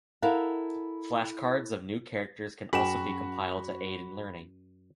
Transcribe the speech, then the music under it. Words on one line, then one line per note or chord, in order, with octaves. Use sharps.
Flashcards of new characters can also be compiled to aid in learning.
E4 A4 A#4 F5 F#5
F#2 C#4 F#4 G#4 G#5 B5 E7